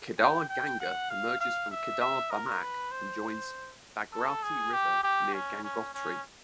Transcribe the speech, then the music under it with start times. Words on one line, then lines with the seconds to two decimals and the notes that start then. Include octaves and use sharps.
Kedar Ganga emerges from Kedar bamak and joins Bhagirathi River near Gangotri.
0.18 G5
0.49 G5
0.80 F#5
1.10 F5
1.40 F5
1.71 E5
2.01 E5
2.31 A#4
2.62 B4
2.91 C5
4.13 A4
4.43 G#4
4.73 G4
5.03 G4
5.34 C#4
5.64 C#4
5.94 C#4